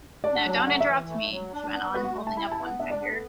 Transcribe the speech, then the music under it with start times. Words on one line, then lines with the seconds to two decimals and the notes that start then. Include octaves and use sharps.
Now don’t interrupt me!’ she went on, holding up one finger.
0.24 D4 D5
0.35 F#5
0.45 F#3
0.56 A5
0.67 A3 F#5
0.81 E5
0.88 E3
1.09 A3
1.31 F#3
1.52 D4
1.73 B3
1.94 F#4 B4
2.04 F#5
2.15 A3
2.27 A5
2.37 E4 B5
2.52 A5
2.59 B3
2.66 F#5
2.80 D4 E5
2.90 D5
3.00 B3
3.11 A4